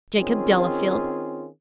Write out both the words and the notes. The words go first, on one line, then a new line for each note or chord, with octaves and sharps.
Jacob Delafield?
D#3 C4 C#4 F4 G#4